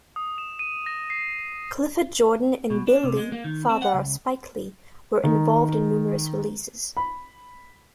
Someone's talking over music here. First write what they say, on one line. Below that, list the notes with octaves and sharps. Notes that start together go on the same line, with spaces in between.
Clifford Jordan and Bill Lee, father of Spike Lee, were involved in numerous releases.
D#6
E7
D#7
A#6
C7
B2
D4
C3
G#3
A#3
D#3
C4
F#5
C#2
D#3
B5